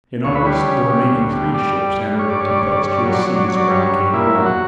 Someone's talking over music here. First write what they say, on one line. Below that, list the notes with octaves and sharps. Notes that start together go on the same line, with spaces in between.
In August the remaining three ships entered the tempestuous seas around Cape Horn.
D2 C#5
B4
G3 C#5
C#3
G3
D2
G3
G3 D5
G3
G2
G2 C#5
D5
G2 C#5
D5
G2 C#5
D5
G2 C#5
D5
F#3 C#5
D5
F#3 C#5
D5
F#3 C#5
D5
G2 C#5
G2
A#2 E4
F#3
F#4